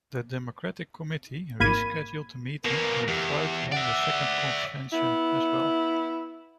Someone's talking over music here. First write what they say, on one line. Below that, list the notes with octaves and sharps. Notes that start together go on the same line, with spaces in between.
The Democratic Committee rescheduled the meeting and Truitt won the second convention as well.
G#1 A#3 B5 G#6 D#7
B2 A#3 A#4
E2 G4
D5 E5 F#5
B3 E4